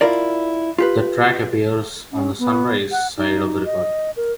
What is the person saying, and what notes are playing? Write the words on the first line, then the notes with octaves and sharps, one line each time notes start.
The track appears on the "Sunrise" side of the record.
E4 F4 A#4 D5
F4 G4 B4
C#4
B3
F#5
D#4
D#5
A#4